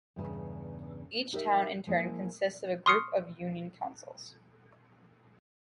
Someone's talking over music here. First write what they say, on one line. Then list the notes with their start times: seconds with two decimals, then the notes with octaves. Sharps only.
Each town in turn consists of a group of union councils.
0.16 E2 G2 A#2 C#3
1.33 D#4 G4 A#4 C5 E5
1.87 F3 G#3 A#3 E4 F5
2.86 C6 C#6 D#6 F6 C7 C#7